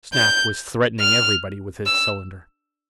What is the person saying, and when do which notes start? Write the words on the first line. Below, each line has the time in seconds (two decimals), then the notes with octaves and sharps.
Snap was threatening everybody with his cylinder.
0.14 G6
1.00 F6
1.86 E6